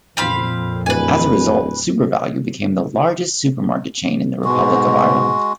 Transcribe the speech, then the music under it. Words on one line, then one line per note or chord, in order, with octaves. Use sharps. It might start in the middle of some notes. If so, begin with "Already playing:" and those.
As a result, SuperValu became the largest supermarket chain in the Republic of Ireland.
F2 A#2 C4 F5 B5
D1 B4 G#5
G#2 B2 G#3 F#4